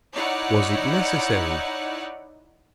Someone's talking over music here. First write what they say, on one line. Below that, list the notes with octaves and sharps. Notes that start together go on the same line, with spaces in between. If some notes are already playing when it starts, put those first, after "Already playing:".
Was it necessary?
D#4 E4 C#5 D5 F#5